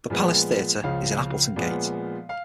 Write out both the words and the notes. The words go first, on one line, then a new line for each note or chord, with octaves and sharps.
The Palace Theatre is in Appletongate.
A#2 F3 G#3 B3
C#2 C#3 F3 F5
A#2 F3 G#3 B3
F5